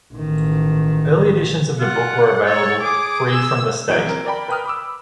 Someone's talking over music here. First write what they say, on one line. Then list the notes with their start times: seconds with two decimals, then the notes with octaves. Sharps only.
Early editions of the book were available free from the State.
0.13 A1 D#3
1.79 F4 F#5
2.45 A4 C#5
2.81 G#4 D6
3.30 E6
3.89 A#1 E3 F#3 G#6 D7
4.06 C4 A#4
4.25 A#4 D5 G5 B5
4.48 A#4 B4 G5 B5 D#6 F6
4.66 B5 D6 E6